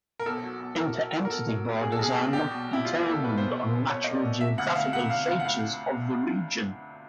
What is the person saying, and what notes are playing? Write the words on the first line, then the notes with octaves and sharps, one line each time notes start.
Inter-entity borders are not determined on natural geographical features of the region.
A#4
B1 A4
F#3
B1
F#3 A#4
F#3
F#3
A#4
B1 A4
F#3
A#2
B1 G#4
A4
B1 G#4
B1
G3 G4
B2
B2 E4
G3 F4
E4
A#3
A4
B2 B4
B2 C5
G3
G3
C2 C#5
A#3 D#5
D5
B2
C3 E5
D2 F#5
E5
D2 F5
C3 F#5
D2 F5
D2 F5
F#5
D2 F5